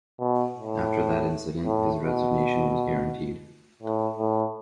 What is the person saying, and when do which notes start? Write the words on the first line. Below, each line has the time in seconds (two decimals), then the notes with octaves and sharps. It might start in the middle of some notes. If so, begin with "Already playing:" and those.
After that incident, his resignation was guaranteed.
0.20 B2
0.56 A2
1.65 A2
2.01 B2
3.83 A2
4.19 A2